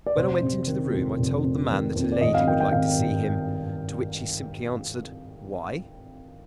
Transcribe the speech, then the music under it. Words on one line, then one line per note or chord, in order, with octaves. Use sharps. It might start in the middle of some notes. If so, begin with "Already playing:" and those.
When I went into the room, I told the man that a lady would like to see him; to which he simply answered: "Why?"
D5
F1 C5
C3
D#3
F2
F1
C3
D#3
F2
D5
G#1 D#5
F5
D#3 G5
G5
G#1 F5
G2